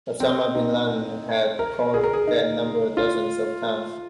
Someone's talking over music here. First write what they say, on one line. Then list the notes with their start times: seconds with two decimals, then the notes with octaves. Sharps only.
Osama bin Laden had called that number dozens of times.
0.20 C4
0.55 D#4
1.59 A#4
1.94 G#4
2.04 A#4
2.13 G#4
2.27 D#4
2.97 F4